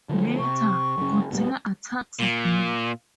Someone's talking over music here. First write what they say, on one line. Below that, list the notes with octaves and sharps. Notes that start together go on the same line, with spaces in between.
Later, Godzilla attacks again.
D3 F3 A3
C3 C#6
F#2 C#3
D2 A#2 G3 B3
A#2